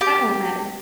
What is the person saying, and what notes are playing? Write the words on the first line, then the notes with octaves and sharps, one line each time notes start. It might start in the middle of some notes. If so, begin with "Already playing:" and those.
That won't matter.
G4